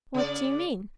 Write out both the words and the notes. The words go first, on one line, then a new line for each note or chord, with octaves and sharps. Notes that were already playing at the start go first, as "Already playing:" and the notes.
What do you mean?
C#3 D5